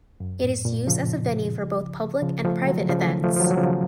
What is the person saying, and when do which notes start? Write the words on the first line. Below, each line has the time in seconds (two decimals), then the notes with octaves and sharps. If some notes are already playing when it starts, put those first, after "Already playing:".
It is used as a venue for both public and private events.
0.20 F#2
0.43 A2
0.65 A#2
0.87 C#3 F3
2.22 C#3 F3
2.45 F3 A3
2.67 D#3 F#3
2.89 C#3 F3
2.99 A3
3.06 D#3 F#3
3.24 F3 A3
3.36 F3
3.40 D#3 F#3
3.51 F#3
3.57 C#3 F3